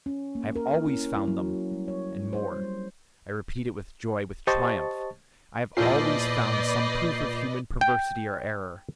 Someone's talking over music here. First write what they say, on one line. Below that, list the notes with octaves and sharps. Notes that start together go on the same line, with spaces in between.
I have always found them; and more,--I repeat it with joy, with triumph,--I have always found some proof of human perversity or error.
C#4
A#3
A#4
E4
C#4
E4
F#3
G3
C#5
C5
G3
G4 C5 D#5 A5 C#6 A6
E2 A#2 F3 B4 D5 D#5 G6 C7
G5